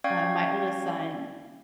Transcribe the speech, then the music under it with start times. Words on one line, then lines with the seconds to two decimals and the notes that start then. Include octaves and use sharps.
uh, my oldest son
0.04 C#4 D5 F5 G5 C#6 G#6